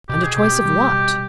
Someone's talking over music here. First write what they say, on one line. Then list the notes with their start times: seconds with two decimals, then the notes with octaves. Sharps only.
And a choice of what?
0.09 B2 G4
0.23 G#4
0.37 B2 G4
0.65 G3
0.93 B2